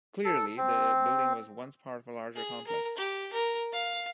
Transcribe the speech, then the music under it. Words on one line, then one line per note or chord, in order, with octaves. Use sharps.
Clearly, the building was once part of a larger complex.
A4
C4
G#4
A#4
G4
A#4
F5